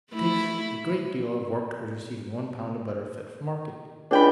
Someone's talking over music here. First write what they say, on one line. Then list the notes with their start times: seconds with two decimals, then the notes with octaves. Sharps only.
It takes a great deal of work to produce even one pound of butter fit for market.
0.11 A3 E4
4.11 C#2 D4 G5 B5